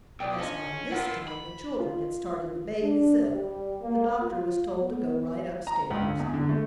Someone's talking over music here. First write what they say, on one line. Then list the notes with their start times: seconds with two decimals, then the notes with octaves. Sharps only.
As by this time the children had started to bathe Zip, the doctor was told to go right upstairs.
0.20 B1 E4 D5 G5
0.40 C#4 D4 F4 D#5
0.92 E4 F4 A#4 B4 F#5
1.28 B5
1.80 F4
2.82 D4
3.31 G3
3.81 A#3
4.22 F4
4.81 B3
5.67 A#5
5.90 C#2
6.02 D3
6.19 E2
6.34 D3
6.49 A3